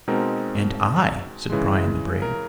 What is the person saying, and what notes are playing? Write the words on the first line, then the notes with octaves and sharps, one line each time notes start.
"And I," said Brian the Brave.
B2 G#3 C4 D#4 A#4
C#3 E3 G#3
A#4